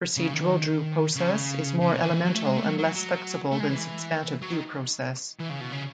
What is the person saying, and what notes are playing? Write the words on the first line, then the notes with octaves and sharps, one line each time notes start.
Procedural due process is more elemental and less flexible than substantive due process.
C#3
D#3
C#3
C#3
B2
D#3
E3
F#3
A3
G#3
A3
F#3
F#3
F#3
A3
G#3
E3
F#3
D#3
E3
C#3
B2
C#3